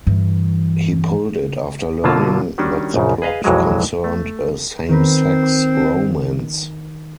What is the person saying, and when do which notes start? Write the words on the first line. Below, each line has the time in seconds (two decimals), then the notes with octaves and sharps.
He pulled it after learning that the plot concerned a same-sex romance.
0.07 G2 E3
2.04 B2 D3 F#3 A#3 F4 A5
2.58 D#3 G3 C#4 D4 F#4
2.94 A#1 F#2 C#3
3.22 G#4 B4 D#5 F5
3.44 B1 F2 E3 F#3 G#3
4.04 A3
4.89 D#3 C4 A#4 B4